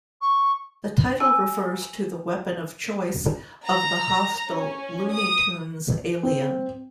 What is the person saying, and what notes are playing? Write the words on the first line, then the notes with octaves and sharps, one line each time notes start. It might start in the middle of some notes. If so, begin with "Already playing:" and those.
The title refers to the weapon of choice of the hostile Looney Tunes alien.
C#6
G#5 E6
A#5
C#4
D#6
C4